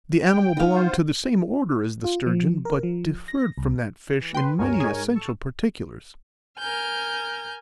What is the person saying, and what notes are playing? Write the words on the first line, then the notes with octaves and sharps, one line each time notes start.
The animal belonged to the same order as the sturgeon, but differed from that fish in many essential particulars.
G5
B3 D#4 F5
F4 C5
F4
F3
A#4
F3
A#6
C2
E3
B4 G5 C6
D2 G2 A#4 C#5 G#5
G#2 G#4
A4 A5 C#6
A#4 G#5 F6 G6